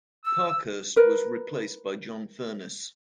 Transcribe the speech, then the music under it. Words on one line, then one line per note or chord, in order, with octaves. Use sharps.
Parkhurst was replaced by John Furness.
E6
A#4 B4